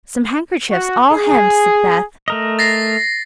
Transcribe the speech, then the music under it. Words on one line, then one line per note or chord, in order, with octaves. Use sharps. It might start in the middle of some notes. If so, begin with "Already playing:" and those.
"Some handkerchiefs, all hemmed," said Beth.
F#4
G#4
A3 A#4 D#5
A6 A#6 C7